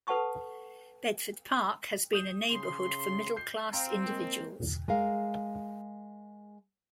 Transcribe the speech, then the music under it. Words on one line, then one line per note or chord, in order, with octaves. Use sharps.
Bedford Park has been a neighbourhood for middle class individuals.
A4 B4 F#5 A5 C#6 D#6
D#6 G6 E7
C#3 C6
G6 C7
C4 F5 G5 A#5
G#3 A#3
G#3 A#4 F5